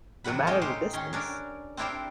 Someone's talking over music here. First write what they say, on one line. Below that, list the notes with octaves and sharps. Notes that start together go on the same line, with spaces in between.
no matter the distance,
E2 A2 F#3 F#5 B5
G#3 C#4 D#4 G4 D#5
A2 D#4 G4 C5
D#3 C#4 C6
C#4 D4 A#4
C4 D4 E4 G4 A#4 C5